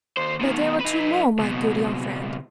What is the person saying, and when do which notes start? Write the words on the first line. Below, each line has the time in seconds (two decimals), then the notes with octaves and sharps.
"But there were two more, my good young friend!"
0.17 D#2 C5
0.41 B2 D#3
0.81 D#4 B4
1.39 C#2 B2